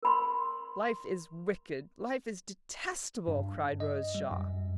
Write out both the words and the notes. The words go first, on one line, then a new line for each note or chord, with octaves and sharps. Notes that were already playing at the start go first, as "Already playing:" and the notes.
"Life is wicked--life is detestable!" cried Rose Shaw.
A#4 B5 C6
G2
D#5
G3
F#2